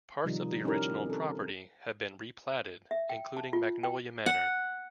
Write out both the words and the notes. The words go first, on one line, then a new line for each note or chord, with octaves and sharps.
Parts of the original property have been replatted, including Magnolia Manor.
C3 D#3 F3 G3 D#4
C#4 D#4 E4 G4 A#4
C4 A4
E5
G5
A5
F4
G5
F#5